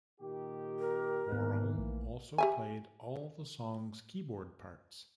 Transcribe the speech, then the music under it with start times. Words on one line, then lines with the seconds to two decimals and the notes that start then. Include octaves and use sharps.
Worrell also played all the song's keyboard parts.
0.21 A#2 D#3 G4
0.79 A#4
1.32 G#2 D#3 E3 A#3 B3 F#6
1.76 A#1 A3
2.38 G4 E5 G#5